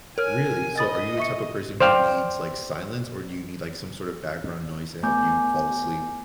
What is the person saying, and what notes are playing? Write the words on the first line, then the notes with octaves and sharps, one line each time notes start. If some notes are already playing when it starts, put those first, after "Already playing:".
Really? So are you a type of person who needs, like, silence, or do you need, like, some sort of background noise to help you fall asleep?
A#4 C#5 G#5 F6
D#5 B5 D#6 A6
E5 C#6 C#7
C5 D5 F5 G5
A3 B3 G#5 D6 G6